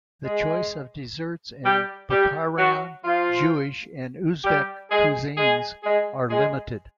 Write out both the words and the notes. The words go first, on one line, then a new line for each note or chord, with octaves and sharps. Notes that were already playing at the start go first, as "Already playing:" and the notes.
The choice of desserts in Bukharan Jewish and Uzbek cuisines are limited.
G#3 G#4
G3 G4
G3 G4
F#3 F#4
F3 F4
G3 G4
G#3 G#4
G#3 G#4
G#3 G#4
G#3 G#4